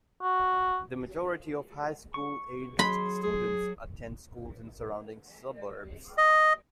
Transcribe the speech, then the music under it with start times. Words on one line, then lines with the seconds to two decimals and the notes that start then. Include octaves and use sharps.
The majority of highschool-aged students attend schools in surrounding suburbs.
0.22 F#4
2.14 C#6
2.79 F#3 G#4 B5 C6
3.23 G#4
6.18 D#5